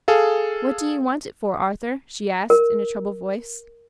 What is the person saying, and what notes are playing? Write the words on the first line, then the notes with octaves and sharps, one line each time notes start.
"What do you want it for, Arthur?" she asked in a troubled voice.
G#4 A4 F5
A#4